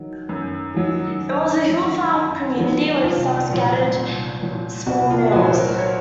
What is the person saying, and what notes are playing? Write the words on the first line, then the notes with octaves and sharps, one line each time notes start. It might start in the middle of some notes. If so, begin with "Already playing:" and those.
It was a "hill farm" community with some scattered small mills.
Already playing: D#3 F#3
F#2
D#3 F#3
F#2
D#3 F#3
F#2
D#3 F#3
C2 F4
A#2 F#3
C2
A#2 F#3
C2 F#4
F4
A#2 F#3 F#4
C5
A#4
C#5